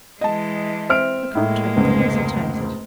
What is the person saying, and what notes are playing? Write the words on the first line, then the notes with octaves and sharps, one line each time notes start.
The contractor hesitated.
E3 G#3 D#5 A5
C4 E5 F6 D7
A2 G#3 A#3
F1 C#2 G#2 B4